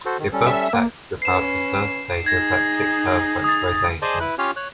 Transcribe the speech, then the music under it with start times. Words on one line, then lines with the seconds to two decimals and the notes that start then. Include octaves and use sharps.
The above text is about the first stage of elliptic curve factorisation.
0.06 F#4 A4 C5
0.19 D#3
0.33 G3 C#4 A4
0.47 E5
0.73 A#3
1.22 C#4 B4 C7 E7
2.26 D#4 G#4 G#6 A#6
3.44 D#6 A6
4.02 G#4 C5 D5 D#5 G#5 A5
4.20 E4 B4 F#6
4.38 C#4 F4 G4 C#5 F5
4.56 C#5 F#6